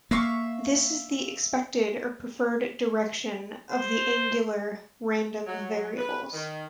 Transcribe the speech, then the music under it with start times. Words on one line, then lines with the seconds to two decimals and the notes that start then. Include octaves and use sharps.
This is the expected or preferred direction of the angular random variables.
0.11 A#3 E5 F5 C#6
3.71 C5
5.46 F#3
5.98 B4
6.33 D#3